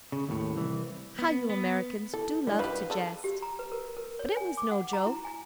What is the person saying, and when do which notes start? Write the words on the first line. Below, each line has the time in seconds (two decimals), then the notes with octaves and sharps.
How you Americans do love to jest.' But it was no joke.
0.12 C#3
0.29 D#2 A2
0.55 C2 E3
1.19 B3
1.50 B3
2.14 E4 A4
2.47 G3 D4 E4
2.59 D#3 G4 B4 F5 B5
2.90 G#4 A4
3.24 G4
3.42 A#5
3.59 B4
3.72 A#4
3.97 A#4
4.19 C#5
4.37 G#5
4.57 D6
4.71 F#5
4.93 A#5
5.06 E4
5.25 G#5